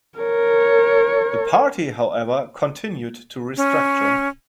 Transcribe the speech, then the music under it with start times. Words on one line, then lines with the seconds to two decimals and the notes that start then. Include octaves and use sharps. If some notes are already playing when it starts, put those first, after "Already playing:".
The party however, continued to restructure.
0.18 A#4 C#5
3.57 C#4